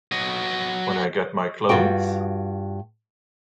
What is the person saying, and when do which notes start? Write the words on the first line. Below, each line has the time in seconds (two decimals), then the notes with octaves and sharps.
When I get my clothes?
0.12 F#3 D#5
1.69 G2 F4 F#4 G5